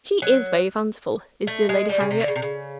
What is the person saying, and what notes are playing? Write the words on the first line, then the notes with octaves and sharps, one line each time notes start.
She is very fanciful, is dear Lady Harriet!
F#3
A3
G#3
G3
C#3
C3
D3
C#3
C3
C#3